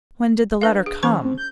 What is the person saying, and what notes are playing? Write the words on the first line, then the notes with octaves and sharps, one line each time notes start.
When did the letter come?'
D4 B4 F5
G#4
E3 C#4 C5 C#6
C4
G6